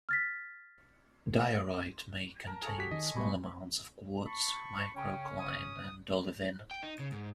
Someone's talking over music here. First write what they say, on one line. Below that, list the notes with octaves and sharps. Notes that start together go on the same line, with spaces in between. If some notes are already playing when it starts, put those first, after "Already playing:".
Diorite may contain small amounts of quartz, microcline, and olivine.
F6 A6 B6
A#4 A5 A#5
G#4 A4 C#5
F#4 G4 B6
D#3 D#5
B2 G3 B3 D5 B5 C#6
A5 B5 C#6
C#3 C#4 G5
D#6
G5
D#4
C#3
G#2